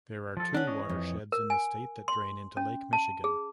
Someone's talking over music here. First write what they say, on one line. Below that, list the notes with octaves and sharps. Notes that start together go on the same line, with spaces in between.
There are two watersheds in the state that drain into Lake Michigan.
F3 A4
C#4 D4 F#5
E3 C#5 D#5
F2
A#4
G#5
C6
C#4
A5
G#4